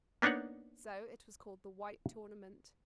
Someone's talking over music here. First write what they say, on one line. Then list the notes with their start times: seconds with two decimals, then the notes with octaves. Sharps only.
So it was called the White Tournament.
0.22 A#3 B3 D4 D#4 C#5 F#5